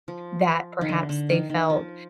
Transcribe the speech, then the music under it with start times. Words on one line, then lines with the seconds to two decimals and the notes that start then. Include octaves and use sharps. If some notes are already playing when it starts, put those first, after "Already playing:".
that perhaps they felt
0.08 F3
0.81 D#3
0.89 D3
1.09 D3
1.29 D#3
1.50 D#3
1.70 F3